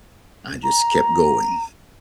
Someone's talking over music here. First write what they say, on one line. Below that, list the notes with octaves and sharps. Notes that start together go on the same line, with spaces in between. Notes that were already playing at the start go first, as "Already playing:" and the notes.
I just kept going,
A#5